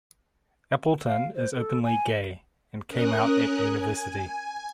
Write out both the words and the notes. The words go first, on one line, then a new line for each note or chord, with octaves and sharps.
Appleton is openly gay, and came out at university.
F5
C5
A4
G#5
C#4 A#4 D#6 F#6
G#5